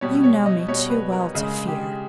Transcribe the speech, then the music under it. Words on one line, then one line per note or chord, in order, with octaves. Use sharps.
'You know me too well to fear.'
B2 G3 C#5
C#5
D#5
B2 G3 C#5
B4
A#4
C#3 G#3 G#4
G4